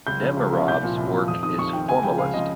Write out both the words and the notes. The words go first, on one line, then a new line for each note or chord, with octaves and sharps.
Nemerov's work is formalist.
C#2 G6
C#3 F3
C#2
C#3 F3
C2 G6
A#2 F3
C2
A#2 F3
F2 D#6
D#3 D#6
F2 C#6
D#3 G5
C#2 G#5
C#3 F3 G5
C#2 F5
C#3 F3 D#5